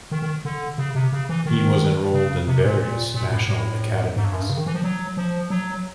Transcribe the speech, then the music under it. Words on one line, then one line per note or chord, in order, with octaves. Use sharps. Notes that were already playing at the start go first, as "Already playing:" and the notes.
He was enrolled in various national academies.
D#3
D#3
D3
C#3
C3
C#3
E3
D#3
C#3
C3
A#2
A#2
A#2
A2
A2
G#2
G2
F#2
G2
C#3
D#3
E3
F3
F#3
F3
F#3